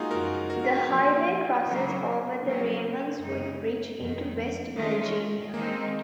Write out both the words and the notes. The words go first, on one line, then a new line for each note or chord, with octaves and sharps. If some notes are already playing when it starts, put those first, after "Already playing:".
The highway crosses over the Ravenswood Bridge into West Virginia.
Already playing: G#3 A#3 D#4 F4 F#4 G#4
F#2 C#3 F3 F#4 A#4
F#4 A#4
A#2 F3 A#3
C#3 F#3 A#3
C#3 F#3 A#3
F#2 C#3 G#3 D#4
F2 D#3 G#3
D#3 G#3 C#4 F4
D#3 G#3 A#3 C4 D#4